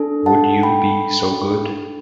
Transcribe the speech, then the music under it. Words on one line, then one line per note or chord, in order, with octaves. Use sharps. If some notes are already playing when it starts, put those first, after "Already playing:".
Would you be so good?
Already playing: D4 A4
F#5 A5
G5 B5